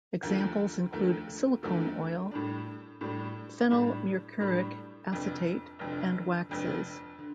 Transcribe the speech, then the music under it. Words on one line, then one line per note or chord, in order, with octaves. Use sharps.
Examples include silicone oil, phenyl mercuric acetate and waxes.
D#2 D3 F3 A3
D#2 D3 F3 A3
D#2 D3 F3 A3
A2 G3 D4
A2 G3 D4
A2 G3 D4
A2 G3 D4
F1 F2 D3
F1 F2 D3
F1 F2 D3
D3